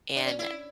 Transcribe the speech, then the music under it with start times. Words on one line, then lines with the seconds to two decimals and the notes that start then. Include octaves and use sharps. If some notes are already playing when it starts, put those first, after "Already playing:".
And, eh,
0.16 D4
0.27 C#4
0.39 E4